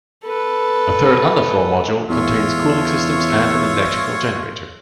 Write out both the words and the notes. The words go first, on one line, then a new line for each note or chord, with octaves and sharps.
A third underfloor module contains cooling systems and an electrical generator.
A4 B4
E2 F4 C#5 E5